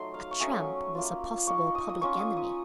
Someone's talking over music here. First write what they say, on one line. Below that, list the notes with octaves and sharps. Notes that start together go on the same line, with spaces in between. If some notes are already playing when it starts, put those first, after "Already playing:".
A tramp was a possible public enemy.
Already playing: F#3 A3 D#4 C6
F5
C#6
F#3 A3 C#4 D#6
A#3 F4
A#3 D#4 C#6
D#6
D#6
A#3 C#4 F4 C#6
D#6
D#6